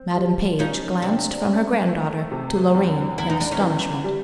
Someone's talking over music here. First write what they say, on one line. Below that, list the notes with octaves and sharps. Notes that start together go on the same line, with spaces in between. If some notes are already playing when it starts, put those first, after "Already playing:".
Madam Page glanced from her granddaughter to Loreen in astonishment.
Already playing: C4
G3
F3 C#4 D#4
C3 C4 D4
C#4
A3
C3
E2
E2 E4
D#4
D4
C#4 D#4
E3
G3